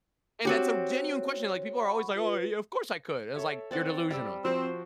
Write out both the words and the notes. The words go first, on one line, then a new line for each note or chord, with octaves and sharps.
And that's a genuine question, like, people are always, like, "Oh, yeah. Of course I could." It was, like, "You're delusional.
C4 F#4 G4 C#5
F#5 B5 C#6
F4 B4
A4 C#5 E5
C4 D5 F#5
G3 D5 E6
F3 C4 F#4 C5